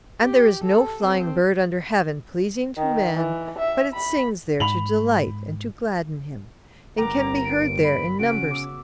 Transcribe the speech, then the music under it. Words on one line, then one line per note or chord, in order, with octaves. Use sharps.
And there is no flying bird under heaven, pleasing to man, but it sings there to delight and to gladden him, and can be heard there in numbers of every kind.
G4
A4
C4
D#3
E3
E5
B5
G#2 B5 F7 F#7
G1 G2 B3 A#4 G5 A#5 D6
D7
B5
C#3 C#4 F#4 B6 D7
D6 E6